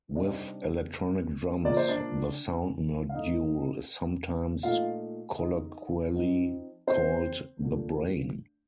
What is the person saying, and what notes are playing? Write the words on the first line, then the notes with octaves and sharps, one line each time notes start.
With electronic drums, the sound module is sometimes colloquially called the "brain".
C3 G3 C4 D4 D#4 D5
A#2 F3 A#3 D5
C5
D4 D5
F5
A2 A3 D#4 D#5
A#2 A3 D#4 F4 F5
D#4 D#5
F3 C4 D#4
C4 C5
A#2 A3 D4